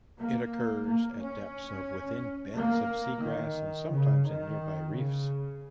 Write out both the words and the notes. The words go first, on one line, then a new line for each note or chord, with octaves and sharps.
It occurs at depths of within beds of seagrass and sometimes in nearby reefs.
A#3
A#3
C#4
A#3
D#3
C#3
D#3
C#3